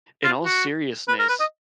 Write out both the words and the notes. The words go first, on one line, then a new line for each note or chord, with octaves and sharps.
in all seriousness,
F4
F#4
B4
A#4
B4
D#5